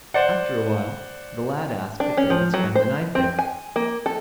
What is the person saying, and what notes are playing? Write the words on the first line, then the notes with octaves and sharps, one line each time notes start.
After a while, the lad asked if they could spend the night there.
C5 D5 F#5
D4
C#4
F3
F#3
C5
C4
G#5
A#3
A4